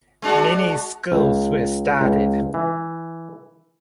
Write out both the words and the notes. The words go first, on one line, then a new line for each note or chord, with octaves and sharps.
Many schools were started.
G#3 D4 F#4
C#2
C#2
E3